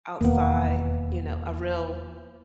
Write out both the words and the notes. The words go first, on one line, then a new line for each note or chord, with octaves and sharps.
outside, you know, a real
E1 D#2 A#3 B3